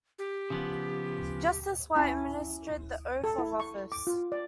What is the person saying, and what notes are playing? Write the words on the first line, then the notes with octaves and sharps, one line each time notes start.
Justice White administered the oath of office.
G4
C#3 F3 B3
C#4 E4 G#5 A5
A4
E4
C#6
D6
F4
D5